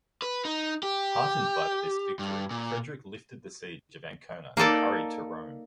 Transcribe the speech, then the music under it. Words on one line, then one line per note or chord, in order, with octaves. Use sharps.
Heartened by this victory, Frederick lifted the siege of Ancona and hurried to Rome.
B4
D#4
G4
G2
A#2
A#3 D#4 A4 D5